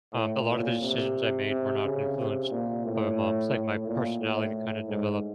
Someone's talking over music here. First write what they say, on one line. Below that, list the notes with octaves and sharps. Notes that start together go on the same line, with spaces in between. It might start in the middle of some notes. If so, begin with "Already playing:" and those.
Um, a lot of the decisions I made were not influenced by my mom, it's, like, my personality kinda developed
A2
A#2
C3
C3
C#3
C3
A#2
A2
A2
A#2
A2
G#2